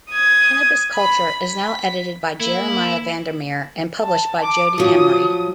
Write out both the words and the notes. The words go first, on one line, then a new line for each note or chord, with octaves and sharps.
"Cannabis Culture" is now edited by Jeremiah Vandermeer and published by Jodie Emery.
D#6 G#6
B5 B6
B6
A#3 E4
A5
D6
F3 F#3 D#6